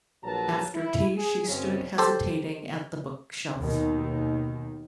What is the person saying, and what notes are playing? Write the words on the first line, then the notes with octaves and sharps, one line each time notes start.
After tea she stood hesitating at the bookshelf.
A#1 F#3 A#4 B4 A5 A#5
E4
G#4
F#2 C#3 G#3 C4 C#4
G4 A4 C5
D#2 B2 D#3